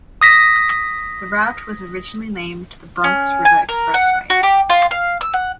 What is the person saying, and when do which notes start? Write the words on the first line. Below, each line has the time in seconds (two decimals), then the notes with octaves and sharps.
The route was originally named the Bronx River Expressway.
0.22 D#6 A#6 B6
3.04 C#4
3.45 G#5
3.69 A#4
3.94 F#5
4.30 F#4
4.43 G4
4.70 F4
4.91 F5
5.21 E6
5.34 F#5